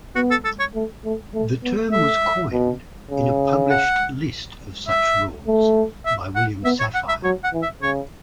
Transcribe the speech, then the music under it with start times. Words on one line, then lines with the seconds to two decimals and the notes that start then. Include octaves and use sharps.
The term was coined in a published list of such rules by William Safire.
0.15 B3 F#4
0.31 A4
0.44 A4
0.59 C#5
0.75 A3
1.04 A3
1.34 A3
1.64 B3
1.92 A3 E5
2.52 B2
3.11 C#3
3.70 F#5
4.88 E5
5.47 A3
6.05 E5
6.35 F#5
6.64 B3 E5
6.80 C#5
6.94 F#5
7.08 E5
7.24 F#3 C#5
7.44 F#5
7.53 E3
7.62 E5
7.82 C#3 C#5